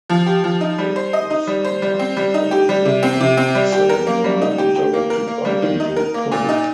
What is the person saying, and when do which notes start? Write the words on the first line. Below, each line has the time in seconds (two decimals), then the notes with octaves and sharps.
It is conducted by Gerard Salonga and directed by Andrew Pole.
0.10 F3
0.26 G4
0.44 F3
0.61 D#4
0.78 G3
0.96 C5
1.13 D#5
1.30 D#4
1.47 G3
1.64 C5
1.82 G3
1.99 C4
2.17 G3
2.34 D#4
2.51 G4
2.69 G3
2.85 C3
3.03 C4
3.20 C3
3.37 C4
3.55 G3
3.72 G4
3.89 A#4
4.07 A#3
4.24 G3
4.42 D#4
4.58 G4
4.76 G4
4.93 A#3
5.10 A#4
5.28 A#3
5.45 G3
5.62 D#3
5.80 D#4
5.96 A#4
6.14 A#3
6.32 A#2
6.49 D#4